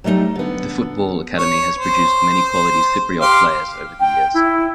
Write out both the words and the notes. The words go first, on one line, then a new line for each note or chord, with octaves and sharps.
The football academy has produced many quality Cypriot players over the years.
F#3 G3 A3 C#4 D#4
D3 B3
C#5
C5
G4 F5 C6
G5
E4